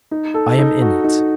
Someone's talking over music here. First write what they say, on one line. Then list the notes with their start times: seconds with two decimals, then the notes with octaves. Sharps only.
I am in it.
0.11 D#4
0.34 A4
0.58 D#4
0.81 F#4
1.04 D#4